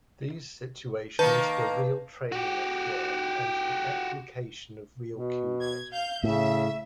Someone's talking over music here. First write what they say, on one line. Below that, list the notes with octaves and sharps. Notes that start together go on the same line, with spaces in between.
These situations were real training at work and the application of real Kumite.
D#3 A#3 B4 A5 G6
F#4 G4
B2
G#6
F5 G6
A2 C#3 E5